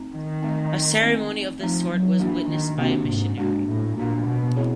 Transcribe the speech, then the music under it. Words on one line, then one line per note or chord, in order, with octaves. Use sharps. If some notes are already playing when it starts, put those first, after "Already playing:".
A ceremony of this sort was witnessed by a missionary.
Already playing: A3 C4 D#4
D#3
A3 C4 D#4
A3 C4 D#4
F3 A3 C4 D#4
F#3
E3 A#3 D4 F#4
D#3
C3 A#3 D4 F#4
G#2
G#2 A#3 D4 F#4
A2
A#2 A#3 D4 F#4
B2
G3 C4 E4 G#4 C#5